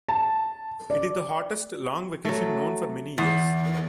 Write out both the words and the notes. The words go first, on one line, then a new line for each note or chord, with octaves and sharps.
It is the hottest long vacation known for many years.
A5
D5
F#3 A3
E2